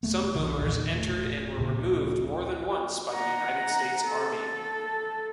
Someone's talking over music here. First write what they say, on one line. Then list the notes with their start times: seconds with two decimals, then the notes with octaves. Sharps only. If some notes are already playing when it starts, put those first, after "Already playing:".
Some Boomers entered and were removed more than once by the United States Army.
0.03 E1 G2 A3 B3
0.35 E1 B1 D3 E3
0.59 A#1 E2 A#2 D#3
0.91 E1 A2
1.58 D1 A#1 A#2 C#3
3.13 F#5 A#5
4.05 A4